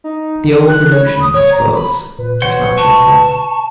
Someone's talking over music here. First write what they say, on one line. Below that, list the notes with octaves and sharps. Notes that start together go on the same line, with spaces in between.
"The old delusion, I suppose," he smiled to himself.
D#4
F#6
C#5
B5
D#6
C#5
A#5
B5
A#2 B4
B2 C5 C#5 F#5
A5 C#6